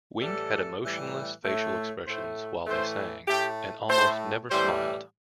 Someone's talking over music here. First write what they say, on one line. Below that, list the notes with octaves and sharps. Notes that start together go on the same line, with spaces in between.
Wink had emotionless facial expressions while they sang, and almost never smiled.
A2 E3 G3 A4
A2 E3 G3
A2 A3
A2 A3 C5
A2 E3 A3 C5
A2 A3 G4
A2 A3 C5
A2 E3 G3 C5